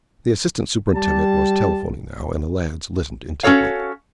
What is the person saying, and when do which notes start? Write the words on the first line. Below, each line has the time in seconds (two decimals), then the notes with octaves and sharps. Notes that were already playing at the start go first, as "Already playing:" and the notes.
The assistant superintendent was telephoning now, and the lads listened intently.
0.96 G3 G4 A5
3.43 C#4 F#4 A4 C#5 F5